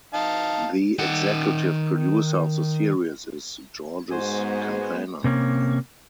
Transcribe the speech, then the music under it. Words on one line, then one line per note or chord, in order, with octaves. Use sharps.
The executive producer of the series is Georges Campana.
D#4 F5 A5
D#3 F#5
G#2 G#3 B3 F#4 C5 G#5
C3 A#3 C#4